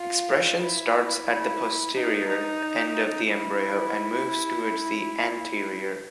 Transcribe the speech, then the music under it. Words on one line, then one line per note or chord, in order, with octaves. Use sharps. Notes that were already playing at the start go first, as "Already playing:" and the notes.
Expression starts at the posterior end of the embryo and moves towards the anterior.
Already playing: F4
E4
E4
D#4
D#4
E4